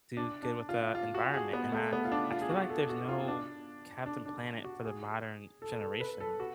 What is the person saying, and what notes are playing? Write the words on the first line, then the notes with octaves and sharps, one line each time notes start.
"do good with the environment." And I I feel like there's no Captain Planet for the modern generation
D4
D4
F4
F4
F#4
G#4
B3
A3
B3
F4
D4
F4
G#4
F#4
A4
F#4
F4
D4
D4
D4
F#4
G#4
A4
A4
B4
A4
F#4